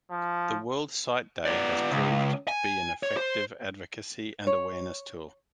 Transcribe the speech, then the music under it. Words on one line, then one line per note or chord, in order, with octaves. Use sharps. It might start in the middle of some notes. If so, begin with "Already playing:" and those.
The World Sight Day has proved to be an effective advocacy and awareness tool.
F3
B3 D5
C#2
G#5
C#5
C5
C#5